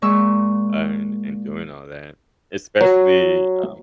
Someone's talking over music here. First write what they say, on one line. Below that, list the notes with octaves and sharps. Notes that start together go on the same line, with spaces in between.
uh, and and doing all that, especially, um
A#2 G#3 C#6 E6
F#3